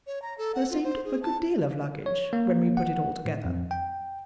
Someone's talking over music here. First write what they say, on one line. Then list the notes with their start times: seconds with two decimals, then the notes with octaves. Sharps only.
There seemed a good deal of luggage, when we put it all together.
0.07 C#5
0.22 A#5
0.38 A4
0.55 F#5
0.70 F4
0.83 C5
1.05 G#4
1.23 A5
2.06 C#5
2.33 A#3
2.77 F#5
3.25 A2
3.45 F2
3.71 G5